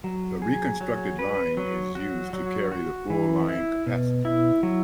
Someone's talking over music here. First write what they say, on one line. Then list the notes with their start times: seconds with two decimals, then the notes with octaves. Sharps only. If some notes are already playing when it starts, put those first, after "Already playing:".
The reconstructed line is used to carry the full line capacity.
0.04 F#3
0.42 G#4
0.81 F#3
1.19 B4
1.57 F#3
1.95 F#4
2.33 F#3
2.72 F#4
3.10 E3
3.48 E4
3.87 B2
4.25 E4
4.63 F#3